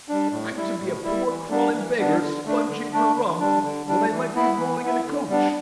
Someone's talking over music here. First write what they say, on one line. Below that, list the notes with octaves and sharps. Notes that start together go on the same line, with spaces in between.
I'm to be a poor, crawling beggar, sponging for rum, when I might be rolling in a coach!
G3 D4
A2
G3 E4
A2
G3 E4
E3
G3 B3 D4
E3
G3 B3 D4
D3
A3 D4
D3
A3 D4
D3
G3 D4
D3
G3 D4
E3
B3 E4
E3
B3 E4
D3
G3 B3 D4